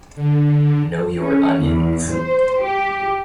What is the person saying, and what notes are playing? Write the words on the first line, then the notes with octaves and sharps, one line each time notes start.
Know your onions.
D3
C#4
E2
C5
G4